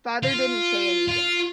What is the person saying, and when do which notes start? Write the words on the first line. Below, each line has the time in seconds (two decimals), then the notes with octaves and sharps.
Father didn't say anything.
0.23 F4
1.08 F4